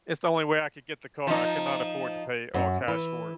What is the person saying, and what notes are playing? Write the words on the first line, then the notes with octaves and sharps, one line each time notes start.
it's the only way I could get the car, I could not afford to pay all cash for it.
F3 D#4
F#2
E3